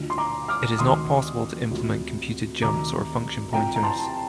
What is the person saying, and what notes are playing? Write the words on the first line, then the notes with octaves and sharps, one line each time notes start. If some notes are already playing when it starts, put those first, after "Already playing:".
It is not possible to implement computed jumps or function pointers.
Already playing: D2 D3 F3
C6
A#5 D6
D6 F6
D2 C3 D#3 C6 D#6
D2 C3 F3
D2 C3 D#3 A#5 D6
C2 C3 F3 G5 A#5
A#5
A5 C6